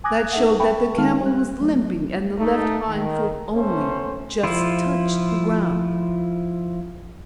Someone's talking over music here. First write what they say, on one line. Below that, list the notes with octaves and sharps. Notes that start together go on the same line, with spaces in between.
That showed that the camel was limping, and the left hind foot only just touched the ground.
G#5 D6 D#6 F#6 G#6 A#6
D#4 A4 E5 F#5
E5 G5 A5 B5 C#6
D#3 G#3 D#4 F5 A5 F6
G3 F#6
F#3 A3
A3 D#4
D#3
A3 B3 C#4 C5
F3 E4 F4